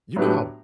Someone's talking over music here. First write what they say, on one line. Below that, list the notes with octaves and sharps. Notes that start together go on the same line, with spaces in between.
You know how
A2 F#3 B3 D4 G4